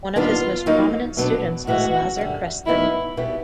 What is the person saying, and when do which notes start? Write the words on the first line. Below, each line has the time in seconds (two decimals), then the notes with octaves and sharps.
One of his most prominent students was Lazar Krestin.
0.15 D#2 D#3 G3 B3 D4 F4
0.66 D#3 F#3 A#3 D#4
1.17 B2 F#3 B3 D4
1.66 A2 E3 G#3 F#4
2.16 F#2 D3 G3
2.66 D#3 F#3 B3 D#4 E4
3.17 B2 G3 B3 E4